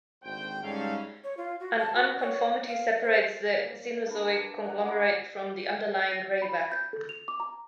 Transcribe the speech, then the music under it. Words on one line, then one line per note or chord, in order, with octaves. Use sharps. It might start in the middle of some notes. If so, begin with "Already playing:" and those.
An unconformity separates the Cenozoic conglomerate from the underlying graywacke.
G#1 D2 C5 G5
G#2 G3 A3 C#4 A4 F5
C#5
F4
F#4
A5
F#4
C#5
F5
C5
A#3
D4 A#4 B4
F#5 A#5
D5 F5 B5 D6
A#6
B5
G6
A4
F7
D6
A#5